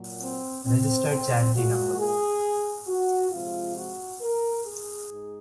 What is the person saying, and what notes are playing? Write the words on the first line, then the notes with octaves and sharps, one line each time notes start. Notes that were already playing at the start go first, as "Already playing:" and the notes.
Registered charity no.
Already playing: A#2 F#3
C4
C4
C4
A#2 G#3 F#4
G#4
F#4
C3 F3 G#3 F4
F#4
A#4
G#4
G#2